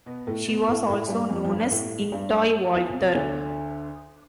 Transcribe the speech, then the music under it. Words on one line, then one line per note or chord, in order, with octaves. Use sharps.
She was also known as Ying-tai Walther.
B2 B3
A2 A3
B2 B3
A2 A3
A2 A3
G2 G3
F2 F3
F3
G2 G3
A2 A3
G2 G3
E2 E3
C3
D2 D3